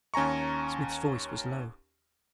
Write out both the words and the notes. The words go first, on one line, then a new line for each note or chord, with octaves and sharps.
Smith's voice was low.
D#2 C#4 G#5 A#5 C#6